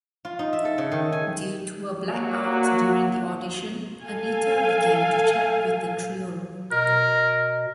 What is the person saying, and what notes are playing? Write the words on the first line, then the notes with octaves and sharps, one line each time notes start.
Due to a black-out during the audition, Anita began to chat with the trio.
F4
D#4
E5
A4
C#3
D#3
G#5
F#3 A#3 F#4
A4 F5 G#5
B2 A#4 D#5